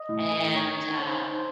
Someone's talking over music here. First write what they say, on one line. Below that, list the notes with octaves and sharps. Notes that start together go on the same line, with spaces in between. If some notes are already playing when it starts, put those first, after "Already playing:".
and, um,
Already playing: D#5
A2
A4
D#4 C#5
D#4
D#4 C5
D#4